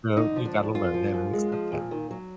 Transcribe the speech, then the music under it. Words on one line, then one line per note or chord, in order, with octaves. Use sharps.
So, you gotta learn that and accept it,
D3 D#4
F3
D4
D2
F#2 F4
F3
F#2
G#3
F3
A#2
D#3
F#3